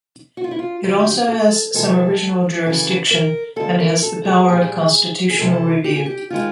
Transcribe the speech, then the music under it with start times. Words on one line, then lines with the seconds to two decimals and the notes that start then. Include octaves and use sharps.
It also has some original jurisdiction, and has the power of constitutional review.
0.37 F#4
0.44 F4
0.51 E4
0.59 F4
0.83 F2 D3 F#3 G4
1.28 A4
1.74 E2 C3 E3 G#3 A4
2.66 F#2 C#3 E3 A4
3.11 A#4
3.56 D#2 D3 F3 G#3 A4
3.80 A#4
4.02 A4
4.25 G#4
4.47 A#2 G3 G#4
5.30 G#4
5.39 D2 C3 E3 A4
5.84 G4
5.96 G#4
6.06 G4
6.30 D#3 G#3 F4